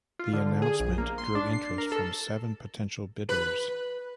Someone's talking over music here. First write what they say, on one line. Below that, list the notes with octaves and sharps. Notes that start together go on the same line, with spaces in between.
The announcement drew interest from seven potential bidders.
F4
D3
G#4
A#1
A#3
C6
D4
C7
A#4
A4
B4